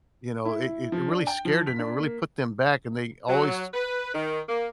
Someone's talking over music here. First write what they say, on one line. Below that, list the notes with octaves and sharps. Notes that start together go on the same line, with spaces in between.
you know, i it really scared 'em, it really put them back and they always,
E4
F3
D4
G5
F3
B6
D4
A#3
F#3
B4
D#3
A#3